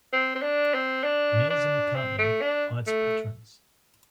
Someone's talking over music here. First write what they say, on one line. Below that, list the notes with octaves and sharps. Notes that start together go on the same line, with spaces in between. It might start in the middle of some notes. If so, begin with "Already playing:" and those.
Mills and McCartney are its patrons.
C4
C4
D4
C4
D4
D4
C4
A3
D4
A3